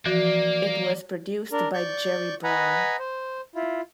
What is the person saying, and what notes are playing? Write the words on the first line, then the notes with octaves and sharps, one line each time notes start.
It was produced by Gerry Bron.
E3 F3 A#3 F#4 D5
D4 A#4
D5 C#6 G6
B4 D#5 F#5 G#5 A#5 B5
C5
E4 F4